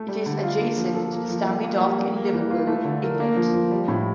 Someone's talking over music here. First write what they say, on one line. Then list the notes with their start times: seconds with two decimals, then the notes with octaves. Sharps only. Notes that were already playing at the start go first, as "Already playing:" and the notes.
It is adjacent to the Stanley Dock, in Liverpool, England.
Already playing: A3
0.08 G3
0.26 D3
0.43 F4
0.60 A#3
0.77 F3
0.94 A4
1.12 A#3
1.29 F3
1.47 F3
1.64 A#3
1.81 G3
1.99 G3
2.16 A#3
2.33 E3
2.51 F4
2.67 A3
2.84 D3
3.03 A#4
3.20 A#3
3.36 F3
3.54 F3
3.71 G3
3.88 A2